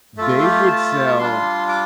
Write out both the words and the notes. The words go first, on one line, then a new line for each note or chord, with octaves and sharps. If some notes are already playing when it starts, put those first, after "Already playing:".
they would sell
A3 F4 A4
A4
G4
C6
A5
G3 D4 F4 C6
D6